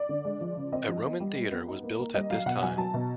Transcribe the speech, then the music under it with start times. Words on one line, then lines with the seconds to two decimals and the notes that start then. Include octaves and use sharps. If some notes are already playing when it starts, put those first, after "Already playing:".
A Roman theatre was built at this time.
Already playing: D5
0.09 D3
0.25 G#3
0.41 F3
0.57 C#3
0.72 C4 D#5
0.88 F3
1.05 B3
1.20 G3
1.35 G3
1.52 B3
1.67 D#4
1.83 A#3
1.99 A#3
2.14 G3 D#5
2.30 F#3 F5
2.46 B2 F#5
2.62 F#3 G#5
2.77 F#3 A5
2.94 B2